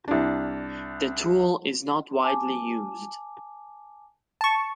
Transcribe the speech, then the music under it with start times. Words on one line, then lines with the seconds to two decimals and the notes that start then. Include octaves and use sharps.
The tool is not widely used.
0.08 C2 D4
2.23 G#5 A5 D6
4.41 A5 C#6